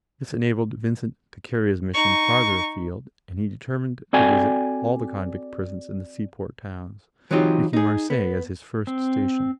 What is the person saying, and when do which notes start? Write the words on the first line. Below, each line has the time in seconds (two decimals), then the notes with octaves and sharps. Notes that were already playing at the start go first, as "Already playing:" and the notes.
This enabled Vincent to carry his mission farther afield, and he determined to visit all the convict prisons in the seaport towns, taking Marseilles as his first station.
1.94 D#4 C#6
4.13 C4 F#4 A4 D5 G5 G#5
7.31 E3 F#3 C4 D#4 F4 G4
7.73 D#4 G#4
8.10 B3
8.87 C4